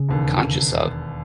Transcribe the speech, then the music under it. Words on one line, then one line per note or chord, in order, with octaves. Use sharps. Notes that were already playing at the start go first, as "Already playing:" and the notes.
conscious of.
Already playing: C#3
E1 D#2 D3